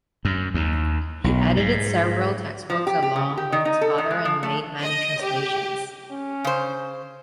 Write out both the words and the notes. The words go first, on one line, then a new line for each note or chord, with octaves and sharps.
He edited several textbooks along with his father and made many translations.
F#2
D#2
B1
G#2
F3
G4
G4
C#3
G4
D#3
D#4
A4
D#3
G#3
F3
A3
D#5
G4
C#4
C#3 C5